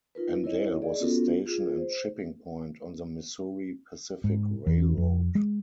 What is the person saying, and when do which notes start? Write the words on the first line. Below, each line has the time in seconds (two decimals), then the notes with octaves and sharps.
Andale was a station and shipping point on the Missouri Pacific Railroad.
0.15 D#4 F4 A#4 B4
0.44 E4 A#4 C#5 D#5
0.82 G#4 D5 D#5
1.00 B3 C#4 F4 F#4 A4 A#4
1.46 F4 G#4
1.78 C5
4.24 G#2
4.67 E2
4.97 F2
5.35 G#3